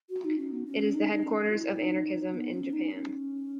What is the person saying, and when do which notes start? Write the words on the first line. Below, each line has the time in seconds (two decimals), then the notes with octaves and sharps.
It is the headquarters of Anarchism in Japan.
0.10 F#4
0.25 D#4
0.38 C#4
0.52 B3
0.66 C#4
0.94 D#4
1.11 D#4
1.23 C#4
1.50 F#4
1.54 E4
1.79 D#4
2.34 B3
2.54 C#4
2.73 D#4
2.91 C#4